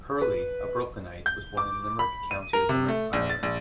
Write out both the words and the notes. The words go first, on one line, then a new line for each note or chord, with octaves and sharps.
Hurley, a Brooklynite, was born in Limerick, County Limerick, Ireland.
B4
G6
D6
B5
D#7
A#4
C3
A3
A#1
A6
A#1